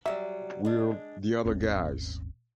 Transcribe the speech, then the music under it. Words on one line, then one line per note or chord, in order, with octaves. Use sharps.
We're the other guys!
F#3 G3 E5
G#3 D4
D#1 G#1 C4 C#4